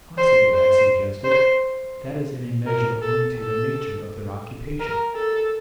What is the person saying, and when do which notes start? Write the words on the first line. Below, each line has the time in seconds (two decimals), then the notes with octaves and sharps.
"Possibly," I suggested, "that is in a measure owing to the nature of their occupation."
0.18 C5
0.54 C5
1.24 C5
2.67 A#4
3.02 A4
3.38 A4
4.80 A#4
5.15 A4